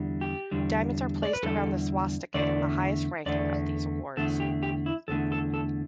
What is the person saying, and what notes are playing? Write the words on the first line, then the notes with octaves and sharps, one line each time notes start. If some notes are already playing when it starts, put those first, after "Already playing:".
Diamonds are placed around the swastika in the highest ranking of these awards.
Already playing: E2 D3 G3
G4
E2 D3 G3
D5
B4
E2 D3 G3 A4
E2 D3 A3 D5
E2 D3 A3 D5
E2 D3 A3 A4
G4
G4
E4
E2 D3 A3 A4
A4
A4